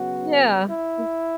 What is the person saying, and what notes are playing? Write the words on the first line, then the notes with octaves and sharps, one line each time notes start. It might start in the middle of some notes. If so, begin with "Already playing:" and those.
yeah, y
Already playing: C#3 F#3 B3 F#4
E4